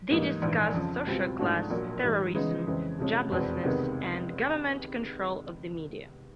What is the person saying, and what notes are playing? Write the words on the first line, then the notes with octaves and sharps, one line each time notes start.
They discuss social class, terrorism, joblessness, and government control of the media.
G#2 E3 G3 A#3 D#4
A#1 G#2 E3
F2 C#3 F3
C#2 B2 G3 C4 F4
G#2 F3 A3 D4 F#4
A#1 A#2 F#3 A#3
G#2 E3 G3
C#3 E3 G#3 B3 D#4
F2 C#3 E3 G#3 C4
C3 F3 G#3 C#4
F1 E2 B2 G#3 C4
C#2 C3 D#3 G#3 B3